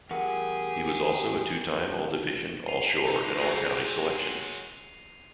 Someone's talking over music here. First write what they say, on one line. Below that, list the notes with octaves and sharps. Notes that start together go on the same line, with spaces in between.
He was also a two-time All-Division, All-Shore and All-County selection.
E2 G4 G#4 A#4 F#5
C7 D#7 F7
D3 D#4
F#3 G#3 C4 F#4 G#4 D#7